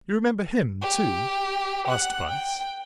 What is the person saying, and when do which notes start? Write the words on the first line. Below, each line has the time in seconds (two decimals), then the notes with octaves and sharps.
"You remember him, too?" asked Bryce.
0.82 G4
1.88 F#5 F#6
2.28 G5